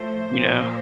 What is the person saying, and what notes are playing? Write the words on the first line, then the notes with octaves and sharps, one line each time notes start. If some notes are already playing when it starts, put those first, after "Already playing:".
You know?
Already playing: A2 F3 A3 C5
A#2 F3 A#3